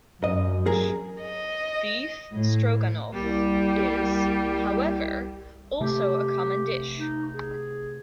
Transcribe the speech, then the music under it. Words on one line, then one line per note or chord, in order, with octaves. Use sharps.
Beef Stroganoff is, however, also a common dish.
F#2 D#5
G#4 A#4
D#5
A2
C2 G3 A#3 G4
C3 A3 G4
D#4
G#4